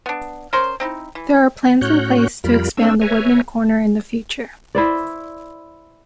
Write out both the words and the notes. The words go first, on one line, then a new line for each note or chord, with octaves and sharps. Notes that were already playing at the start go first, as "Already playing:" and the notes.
There are plans in place to expand the Woodman corner in the future.
B3 D4
C#4 A#4 C5
C4 D#4 E4
E3
A2 C#4 F#4 C#5 F#6 G6
F2 G3 F4 A#4 B5
A3 C4 D4 E6
B4 C#5 E5 G#5 A#5
E4 C5 D5